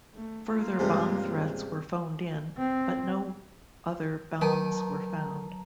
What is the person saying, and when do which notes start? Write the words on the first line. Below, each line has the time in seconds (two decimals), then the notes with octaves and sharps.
Further bomb threats were phoned in, but no other bombs were found.
0.15 A3
0.48 A#3 F4
0.79 C#2 G2 C3
2.57 C4
4.41 D#3 F#3 A5 A#5